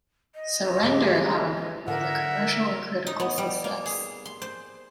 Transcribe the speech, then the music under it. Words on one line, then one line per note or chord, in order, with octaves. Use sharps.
"Surrender", however, was a commercial and critical success.
D#5
D3 G#3 G4
D3 A#4 E5 F#5
D#4
B3
G3
A#3
G#4
C6
C5